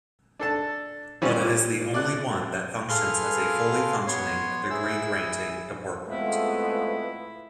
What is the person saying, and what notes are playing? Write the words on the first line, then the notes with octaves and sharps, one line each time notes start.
But it is the only one that functions as a fully functioning, degree-granting department.
D4 A4 A5
E3 G3 C4 C#4 F4
A#2
D5 F#6
G#4 A4 B4 F5 C6 F6
B3 C#5 C6
E4 G#4 E6
G#3 A3 B3 C4 E4 F4